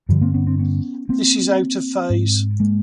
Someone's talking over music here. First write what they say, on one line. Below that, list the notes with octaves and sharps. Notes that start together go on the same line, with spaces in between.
This is out-of-phase.
G2 D3 F3 G3
A#3 C4
B3 C#4
C4 D4
B3 C#4
A#3 C4
G#2
G#3 A#3